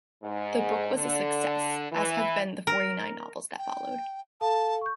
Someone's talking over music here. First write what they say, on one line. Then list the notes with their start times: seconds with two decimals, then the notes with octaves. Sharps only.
The book was a success, as have been the forty-nine novels that followed.
0.23 G#2
0.95 D3
1.92 E3
2.67 A#4
3.58 G5
4.41 A4 F5 A5
4.81 C#6 G6